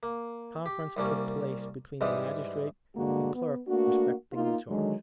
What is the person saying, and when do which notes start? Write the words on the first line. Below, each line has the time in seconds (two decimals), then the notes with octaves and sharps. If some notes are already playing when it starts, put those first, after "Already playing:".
Conference took place between the Magistrate and clerk respecting the charge.
0.03 A#3
0.66 G4
0.97 C2 G3 A#3 C#4
2.01 G#2 E3 G3 G#3
2.96 G2 D3 G#3 A#3 F#4
3.35 B3
3.68 A3 A#3 D4 F#4
4.33 A#3 D#4 F4
4.68 D3 D#3 F#3 G#3